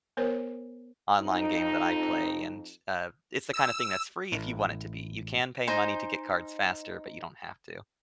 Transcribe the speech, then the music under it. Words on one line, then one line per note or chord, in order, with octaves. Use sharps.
online game that I play, and, uh, it's the kind of thing that's free if you want it to be. You can pay money to get cards faster, but you don't have to.
B3 A#4 C5 C#5
F2 D#4
E6
A1
D#4 C5 G#5